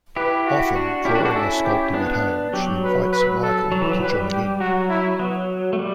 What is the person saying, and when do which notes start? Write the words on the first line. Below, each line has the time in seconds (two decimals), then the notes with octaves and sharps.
Often drawing or sculpting at home, she invites Michael to join in.
0.16 E4 G4 B4
0.46 F#4
0.76 D4 F#4
1.05 C#4 E4 G4
1.15 D4 F#4
1.25 D4 F#4
1.35 C#4 E4 A4
1.65 G4
1.94 B3 D4
2.53 F#3 G4
2.83 B4
3.12 B4
3.42 A4
3.72 F#3
3.82 E3
3.91 F#3
4.01 G3 B4
4.31 G4
4.60 F#3 F#4
4.89 E4
5.19 F#3 B3
5.73 A3
5.79 G3